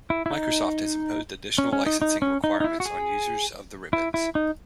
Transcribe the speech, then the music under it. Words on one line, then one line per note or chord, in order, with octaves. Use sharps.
Microsoft has imposed additional licensing requirements on users of the ribbons.
E4
E4
D#4
C#4
C#4
D#4
D#4
C#4
D#4
D#4
E4
F#4
G#4
E4
E4
D#4